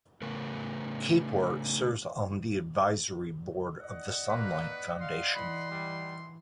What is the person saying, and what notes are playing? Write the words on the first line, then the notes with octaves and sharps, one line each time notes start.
Kapor serves on the advisory board of the Sunlight Foundation.
C#3 A3 B3 A#4
D5 D#5 F#5
A#3 B4
F5 C6
E3 B5
G3